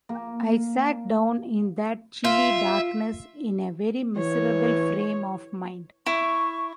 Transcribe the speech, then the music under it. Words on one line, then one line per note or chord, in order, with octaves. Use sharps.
I sat down in that chilly darkness in a very miserable frame of mind.
A#3
F4 E5
E3 C#5
E4 C#6